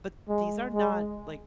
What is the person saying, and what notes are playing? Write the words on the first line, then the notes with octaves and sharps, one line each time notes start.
but these are not, like"
G#3
G#3